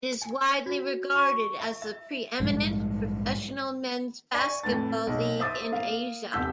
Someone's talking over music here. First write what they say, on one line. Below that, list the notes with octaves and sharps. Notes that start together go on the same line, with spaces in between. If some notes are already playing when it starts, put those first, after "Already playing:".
It is widely regarded as the pre-eminent professional men's basketball league in Asia.
G#5
F#4
C#6
E5
E5
A#1 G#2 G3 G#3
D5 G#5 C#6
F2 A2 B4 A6
B1
C5 E5 D6 D#6 A6
A#3 F5
D#1 E2 C3 E6 G6 B6